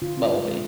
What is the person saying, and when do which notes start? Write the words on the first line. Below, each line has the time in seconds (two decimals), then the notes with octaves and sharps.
What would be?
0.02 D3 F4
0.44 G#3